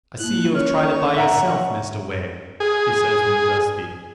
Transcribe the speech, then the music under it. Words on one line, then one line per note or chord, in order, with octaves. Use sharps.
'I see you have tried it by yourself, Mr Wegg,' he says when he does speak.
A#3 E4 F#6
C#4 C#5 C#6 F6
E5 F#5 A#5
G#4